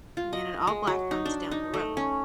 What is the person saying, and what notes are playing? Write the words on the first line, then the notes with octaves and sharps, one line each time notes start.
A man in all black runs down the road.
F4
D#5
G#3
F#3
D#4
D4
D#4
A3
C#4